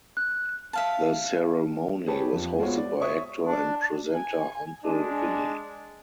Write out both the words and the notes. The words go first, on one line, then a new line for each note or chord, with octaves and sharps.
The ceremony was hosted by actor and presenter Uncle Vinny.
F#6
E5 F5 A5
G4 G#4 B4 C#5 A5
F2
G#3 B3 F4 F#4 C#5
D5
C#5 E5 C#6 D#6
D4
G#5
G#3 D4